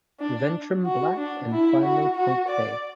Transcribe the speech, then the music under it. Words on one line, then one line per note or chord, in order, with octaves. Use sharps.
Ventrum black and finely punctate.
D4
F#4
D4
E4
F#4
F#4
D5